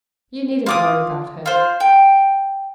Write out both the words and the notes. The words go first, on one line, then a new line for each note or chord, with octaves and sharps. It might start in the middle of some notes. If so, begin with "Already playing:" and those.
You needn't worry about her.'
F4 D6 D#6
F4 C5
G5